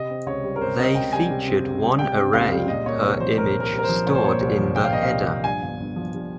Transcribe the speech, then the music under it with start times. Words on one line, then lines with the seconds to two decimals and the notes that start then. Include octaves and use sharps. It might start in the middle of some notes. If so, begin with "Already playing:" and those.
They featured one array per image stored in the header.
Already playing: C3 D#5
0.10 C4
0.26 C#2 C#5
0.44 G3
0.56 A#4
0.61 C3 C5
0.79 C4 D#5
0.95 C#2 G5
1.13 G3 G#5
1.30 C3
1.48 C4
1.64 C#2
1.83 G3
1.99 C3 G5
2.17 C4
2.33 C#2 F5
2.52 G3
2.68 A#2 D#5
2.86 A#3 C#5
3.02 C2 C#5
3.20 F3 C5
3.37 A#2 A#4
3.55 A#3
3.60 A#4
3.71 C2
3.79 A#4
3.83 C5
3.89 F3
4.06 A#2 C#5
4.15 C5
4.24 A#3 C#5
4.40 C2
4.58 F3
4.75 A#2 G5
4.84 F5
4.93 A#3 D#5
5.02 F5
5.09 C2
5.27 F3
5.44 G2 G#5
5.62 G1
5.80 G1
5.96 F3
6.13 G2